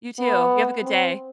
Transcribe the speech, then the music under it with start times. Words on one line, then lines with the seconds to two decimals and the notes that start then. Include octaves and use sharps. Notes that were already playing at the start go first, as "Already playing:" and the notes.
You, too. You have a good day.
0.19 B3
0.83 C4